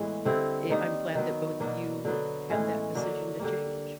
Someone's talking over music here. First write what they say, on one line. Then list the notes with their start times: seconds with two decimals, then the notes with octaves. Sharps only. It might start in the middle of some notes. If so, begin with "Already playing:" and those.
eh, I'm glad that both of you had that decision to change,
Already playing: A2 E3 G#3 B3
0.25 D3 G3 C4 E4
0.70 D#3 G3 A#3 D#4
1.15 D#3 F#3 B3
1.60 B2 F#3 A#3 D4
2.05 D3 F#3 B3
2.50 A2 E3 G#3 C#4
2.95 D3 F#3 A#3 D4
3.40 D3 G3 A#3